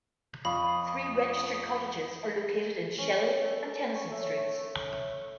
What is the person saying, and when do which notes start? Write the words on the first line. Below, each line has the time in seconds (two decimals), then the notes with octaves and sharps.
Three registered cottages are located in Shelley and Tennyson Streets.
0.45 F2 F5 B5 C#6 D#6
2.98 C#4
3.44 A4
3.63 A#4
3.95 C#5
4.11 A3
4.37 A3
4.92 C#6